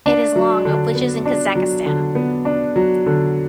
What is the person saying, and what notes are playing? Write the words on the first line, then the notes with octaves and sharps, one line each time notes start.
It is long, of which is in Kazakhstan.
D4
F#3
D3
B3
D4
F#3
D3
B3
D4
F#3
D3